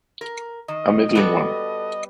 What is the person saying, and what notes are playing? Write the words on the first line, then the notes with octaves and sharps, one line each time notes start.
A middling one?
A#4
D#3 D#5
G3 B3 F#4 A4